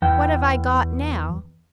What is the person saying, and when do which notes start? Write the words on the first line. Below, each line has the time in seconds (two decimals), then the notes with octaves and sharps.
What have I got now?
0.02 E2 G5